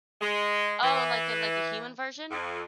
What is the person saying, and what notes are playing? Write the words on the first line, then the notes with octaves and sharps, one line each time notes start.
Oh, like, a like, a human version?
G#3
E3
F2